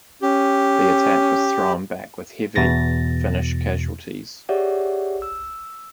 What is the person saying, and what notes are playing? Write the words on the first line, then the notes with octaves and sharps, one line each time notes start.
The attack was thrown back with heavy Finnish casualties.
C#4 G4
E2 B2 A6 A#6
G4 G#4 C#5 D5 E5 F#5
E6